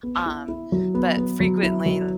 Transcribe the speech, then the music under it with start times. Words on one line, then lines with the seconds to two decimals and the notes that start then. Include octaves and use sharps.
Um, but frequently
0.03 B3
0.26 E4
0.48 E4
0.72 F#3
0.94 B3
1.17 B3
1.40 F#3
1.63 E4
1.86 F#3